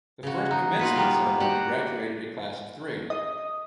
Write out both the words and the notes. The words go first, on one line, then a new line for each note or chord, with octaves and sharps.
The first commencement ceremony graduated a class of three.
C#3 F#4
D#4
F4 F#4 B4
G3 A#3 B3
F#4 G4 F#5
D#5